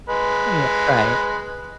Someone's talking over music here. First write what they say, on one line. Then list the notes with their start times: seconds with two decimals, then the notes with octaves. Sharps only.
Oh yeah, right.
0.09 G#3 B4